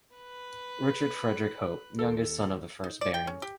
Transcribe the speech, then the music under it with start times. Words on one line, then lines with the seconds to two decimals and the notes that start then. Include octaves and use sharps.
Richard Frederick Hope, youngest son of the first Baron.
0.16 B4 F#6
1.99 D#2 A4
2.84 D#4
3.01 D5
3.14 G5
3.27 C#4
3.42 G4